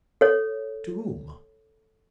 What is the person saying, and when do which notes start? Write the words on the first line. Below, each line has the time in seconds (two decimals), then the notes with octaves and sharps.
"To whom?"
0.21 A4 C#5